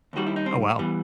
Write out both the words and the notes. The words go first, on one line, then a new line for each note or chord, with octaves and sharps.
Oh, wow.
D#2 D#3 G3 F#4
E4
D#4
C4
E3 G3 B3